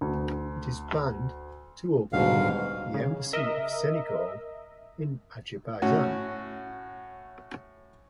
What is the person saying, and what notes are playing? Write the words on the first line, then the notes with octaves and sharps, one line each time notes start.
It is planned to open the Embassy of Senegal in Azerbaijan.
D2
D#1 G#2 B2 D3 F#3 F5
C#3
A#4 D#5 E5
A2 C#4 F#4